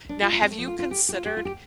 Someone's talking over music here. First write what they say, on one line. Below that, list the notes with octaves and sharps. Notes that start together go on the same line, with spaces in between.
Now, have you considered
D4
F4
F4
C4
A3
F3
F4
F4
G4
G4
F4
G4
F4
G4